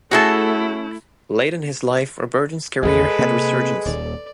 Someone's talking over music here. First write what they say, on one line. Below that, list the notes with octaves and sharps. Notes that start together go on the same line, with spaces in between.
Late in his life Robertson's career had a resurgence.
A3 C#4 E4 F#4 G#4 A4 E5 A5
A1 E2 D#3 G#3 A4 B4
C3 A#3 C4
D#1 D#2 D5